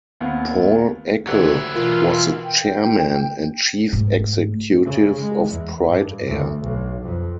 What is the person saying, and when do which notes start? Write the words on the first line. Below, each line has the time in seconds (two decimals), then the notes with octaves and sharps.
Paul Eckel was the chairman and chief executive of Pride Air.
0.20 D#2 B3 C4 F5
1.27 D2 F#3 E4 G4 F#5
1.76 B2 E3 F4 A#4
2.44 G5
3.93 G#2 A3
4.85 C#3
5.21 G#3
5.51 E2
5.89 G2
6.27 D2
6.62 B1
7.03 F2